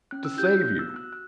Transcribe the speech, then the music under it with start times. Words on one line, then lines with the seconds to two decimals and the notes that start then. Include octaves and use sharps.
"To save you!"
0.11 C#4 F#6
0.25 E6
0.37 E4 G4 G6
0.50 F#6
0.62 B3 F#6
0.79 E6
0.87 F#4
0.96 F#6
1.13 F#6